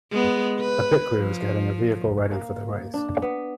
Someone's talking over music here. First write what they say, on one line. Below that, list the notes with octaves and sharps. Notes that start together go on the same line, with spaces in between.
A pit crew is getting a vehicle ready for the race.
G#3 B3
B4
F3
A#3
D4
B3